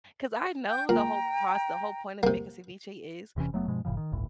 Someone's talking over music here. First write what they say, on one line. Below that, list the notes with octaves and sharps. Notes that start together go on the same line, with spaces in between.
'cause I know the whole proc the whole point of making ceviche is,
G5 G6
A#2 G5 A#5
C3 A#3
E1 C3 E3 C#4
F#1 F#3 A3 B3
G2 B2 F3 G#3
F#1 A2 C#3 F3
D#3
G1 C#2 A2